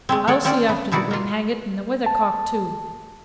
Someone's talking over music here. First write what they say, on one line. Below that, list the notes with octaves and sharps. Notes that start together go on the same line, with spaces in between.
I'll see after the wind, hang it, and the weather-cock, too.
G#3 A3 C4
A3 C#5 D5
A#3 C4 C#4 D5 A5
B3
B2 D#4 E4 F#4 D5
A#3 F4
A5